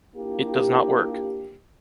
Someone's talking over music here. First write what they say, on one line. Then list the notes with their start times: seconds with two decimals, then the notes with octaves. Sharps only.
It does not work.
0.15 A#3 D4 E4 F4 G4